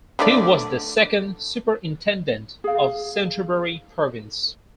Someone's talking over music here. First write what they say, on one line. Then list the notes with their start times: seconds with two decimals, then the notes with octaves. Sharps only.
He was the second Superintendent of Canterbury Province.
0.19 D3 A3 D5
2.64 G#4 F5